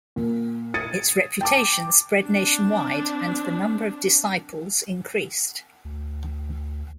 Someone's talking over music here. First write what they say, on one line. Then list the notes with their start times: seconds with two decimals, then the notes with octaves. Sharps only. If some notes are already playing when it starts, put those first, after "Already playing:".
Its reputation spread nationwide and the number of disciples increased.
0.16 A#2
0.74 D#6 G#6 A6 C#7 D#7
1.41 G5 A5 D6
2.22 C4 D4
5.85 D2